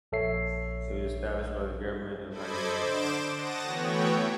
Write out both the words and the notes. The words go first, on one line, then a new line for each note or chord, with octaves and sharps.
It was established by the Government of Nigeria.
A#1 A4 C#5 E5 C7
A4 C5 D#5 B5 D6 G#6
D3 C5 D6 D7 E7
F#5 A5 D#6 A#6
E3 A3 B3 F#4 C#5 G5